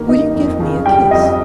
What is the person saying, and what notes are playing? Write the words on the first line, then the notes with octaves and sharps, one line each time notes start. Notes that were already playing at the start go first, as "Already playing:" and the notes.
"Will you give me a kiss?"
Already playing: G2 D#3 A#3
D#4
F2
C#3
G3 G5
F2 D#5